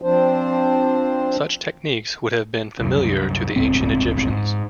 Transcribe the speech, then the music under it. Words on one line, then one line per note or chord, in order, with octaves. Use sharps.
Such techniques would have been familiar to the ancient Egyptians.
F3 C4 D4 C5
C2 F#2
D1 G1 C#2 C4
G#2